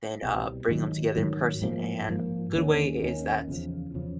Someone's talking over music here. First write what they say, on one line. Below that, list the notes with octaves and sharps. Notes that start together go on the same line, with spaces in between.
then, uh, bring 'em together in person, and good way is is that
C2 B2 G3 C4
G#2 D#3 F#3
G#2 D#3 F#3
G#2 F3 A#3
G#2 F3 A#3
D#2 D#3 G#3 C#4
D#2 D#3 G#3 C#4
E2 C#3 F3
E2 C#3 F3